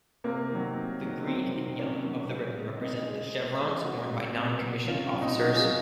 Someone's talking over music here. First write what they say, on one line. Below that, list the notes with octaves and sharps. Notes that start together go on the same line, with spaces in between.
The green and yellow of the ribbon represent the chevrons worn by noncommissioned officers.
C3 A#3
D#3 F#3
C3
D#3 F#3
C3 C4
D#3 F#3
C3 A#3 C#4
D#3 F#3
C#3
G#3
C#3 C4 D#4
G#3
C#3
G#3
C#3 D#4 F#4
G#3
C3
F#3
C3 C#4 F4
F#3
C4 D#4
C3 D#4 F#4
F4 G#4
F#3